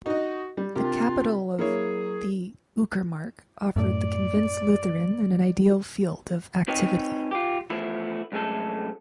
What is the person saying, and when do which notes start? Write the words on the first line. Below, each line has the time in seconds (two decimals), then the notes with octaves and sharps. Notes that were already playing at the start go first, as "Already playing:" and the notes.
The capital of the uckermark offered the convinced Lutheran an ideal field of activity.
0.06 D#4 F#4 D#5
0.57 G3
0.75 C3 C4 D4 F4 G4 A#4
1.59 F#3 A#3 E4 G#4 C#5
3.76 F#2 A2 D5
6.68 C4 D#4 B4 C#5 D#5 G5
7.31 F4 G4
7.70 E3 F3 A3 B3 E4
8.32 C2 F#2 G#3 A3 A4